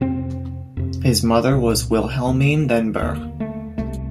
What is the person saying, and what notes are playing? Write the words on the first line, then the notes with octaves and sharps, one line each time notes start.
His mother was Wilhelmine then Bergh.
F2 C3 C4
F2 C3
C2 A#2
D#2 D3
D#2 D3 A#3
A3
C2 C3 A3